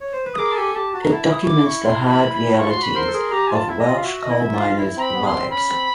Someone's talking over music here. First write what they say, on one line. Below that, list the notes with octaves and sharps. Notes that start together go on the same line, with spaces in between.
It documents the hard realities of Welsh coal miners' lives.
C#5
C5
B4
D#6
G#4 A#4 D6
A5
G4 A4 G#5
G4 A5
F#4 A5
A#5
E4 A5
D#6
C#6
D6
C#6
C6
B5
B5
F4 C#6
C6
F#4
B5
A#4 C5 C6
A4
G#4 A#4
G4 A#5
F4 G#5
A5
E4 E5
D#5
F4
F5
F#4 E5
D#5
E4
E5
F4
F5
E4
C4 A#5
B5
B3
C#4 C6
C4
C#4 B5
C4